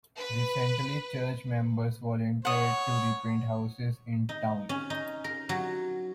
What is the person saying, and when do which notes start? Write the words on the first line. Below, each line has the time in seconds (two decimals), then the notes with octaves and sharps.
Recently church members volunteered to repaint houses in town.
0.19 B4
2.45 C#5 F#5 D#6
4.29 D#4
4.69 C#4
4.90 D#4
5.24 A#4
5.49 F#3